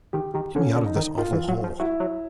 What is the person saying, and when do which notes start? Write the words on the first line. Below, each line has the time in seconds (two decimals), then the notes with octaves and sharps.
"Get me out of this awful hole."
0.13 D#3 G4
0.34 D#3 G4
0.55 D3 C#4
0.76 D3
0.86 D#4
0.96 D#3
1.18 D#3 F4
1.33 E3
1.48 F#3
1.64 F3
1.80 F#3 E4
2.00 F#3